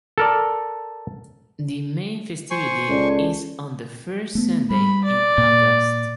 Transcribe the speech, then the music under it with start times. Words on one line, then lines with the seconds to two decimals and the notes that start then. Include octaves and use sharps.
The main festivity is on the first Sunday in August.
0.18 A4 A#4 D5
2.51 C5 G#5 C#6
2.89 C#2 A4 D5
4.35 A3 B3
4.70 G3 B5
5.04 D5
5.38 A#2 A#3